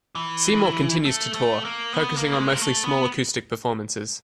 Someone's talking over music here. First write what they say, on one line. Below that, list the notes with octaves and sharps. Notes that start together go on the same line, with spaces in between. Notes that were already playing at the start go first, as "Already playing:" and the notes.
Seymour continues to tour, focusing on mostly small acoustic performances.
E3
A3
A3
A#3
B3
A#3
G3
G#3
A#3
A3
B3